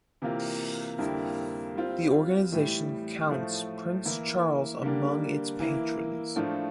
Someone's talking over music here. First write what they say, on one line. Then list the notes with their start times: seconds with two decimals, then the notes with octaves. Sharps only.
The organization counts Prince Charles among its patrons.
0.22 C3 E3 A#3 F4
0.98 F2 D3 G3 A#3 E4
1.75 G3 C4 F4
2.52 A2 E3 G3
3.28 A2 F3 A3
4.05 E3 A#3 E4
4.82 D3 G3 A#3 D4
5.60 E3 A#3 E4
6.36 A2 F3 A3 D4 F4